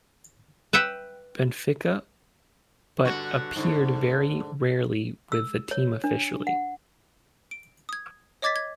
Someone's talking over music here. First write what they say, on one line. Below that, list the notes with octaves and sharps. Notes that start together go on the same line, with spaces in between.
Benfica, but appeared very rarely with the team officially.
B4 E5 F#5 G5
G2 D3 F#4
G#2 D3
E6
C#5
D4
F#5
D7
D#6 G#6
C#5 D#5 D6 G#6 A6 B6
G#6